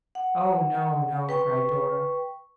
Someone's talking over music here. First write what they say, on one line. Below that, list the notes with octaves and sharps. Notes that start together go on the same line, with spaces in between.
'Oh, no, no!' cried Dora.
F#5
B4 G5 C#6